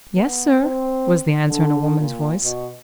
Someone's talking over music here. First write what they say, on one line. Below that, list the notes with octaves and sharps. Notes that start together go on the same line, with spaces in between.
"Yes, sir," was the answer, in a woman's voice.
B3
C4
D3
A#2
B2